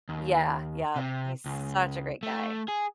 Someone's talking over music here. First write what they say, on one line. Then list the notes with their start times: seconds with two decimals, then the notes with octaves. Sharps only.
Yeah, yep, he's such a great guy.
0.09 D#2
0.96 C3
1.46 C#2
2.23 A3
2.68 G#4